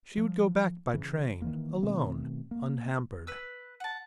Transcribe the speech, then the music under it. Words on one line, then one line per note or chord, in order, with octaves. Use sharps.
She would go back by train, alone, unhampered.
F3
C#3 E3
D#3 E3 A#3
B2 D#3 A3 C4
A#3
B4 E6
F#5 A5